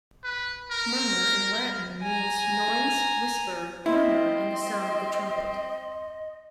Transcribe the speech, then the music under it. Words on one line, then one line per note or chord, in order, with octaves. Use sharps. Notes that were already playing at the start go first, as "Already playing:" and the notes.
'Murmur' in Latin means noise, whisper, murmur, and the sound of the trumpet.
B4
A#4
G#5 A#5
C4 E4 D#5